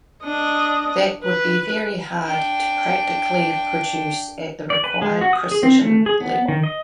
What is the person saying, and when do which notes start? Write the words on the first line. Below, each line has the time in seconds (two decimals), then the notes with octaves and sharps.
That would be very hard to practically produce at the required precision level.
0.24 D4 D#5
1.24 B4
2.27 D4 G5
4.70 D5
4.84 B4
5.02 G#3
5.21 F#4
5.33 D#6
5.51 G#4
5.63 C4
5.81 A3
6.06 G#4
6.21 B3
6.48 D#3
6.64 D#5